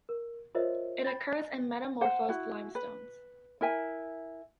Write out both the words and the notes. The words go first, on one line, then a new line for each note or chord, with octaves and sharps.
It occurs in metamorphosed limestones.
A#4
F4 A#4 C5 C#5 D#5 E5
B5 A6
C5 F#5
E4 F#4
B4
E4 A#4 E5 G#5